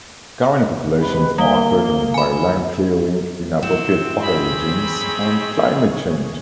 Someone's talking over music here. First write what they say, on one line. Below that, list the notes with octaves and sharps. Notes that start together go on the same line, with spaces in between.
Current populations are threatened by land clearing, inappropriate fire regimes and climate change.
C3 G#3 B4
G3 A#3 G7
G#5 B5
C4 E4 F#4 E7
G#4 C#5 B5
D#4